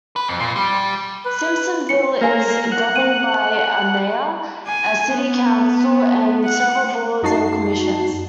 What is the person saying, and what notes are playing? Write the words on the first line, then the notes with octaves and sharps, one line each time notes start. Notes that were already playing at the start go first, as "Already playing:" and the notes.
Simpsonville is governed by a mayor, a city council, and several boards and commissions.
B4
F2
A#2
G3
B4
C#5 C#7
A#3 A#4 F5 G#5
F#5
C5 D#7
G#5
B3
F#5
F#2 D#4 F#4 A5 C7